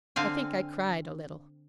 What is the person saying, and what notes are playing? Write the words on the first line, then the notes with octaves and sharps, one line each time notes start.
I think I cried a little.
D3 C4 F5 G#5